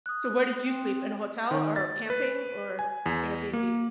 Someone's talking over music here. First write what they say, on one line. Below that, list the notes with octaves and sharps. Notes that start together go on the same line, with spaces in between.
So where did you sleep, in a hotel or camping or Airbnb?
D#6 F#6
C4
D#3
A6
B4
G#5
E2
A#3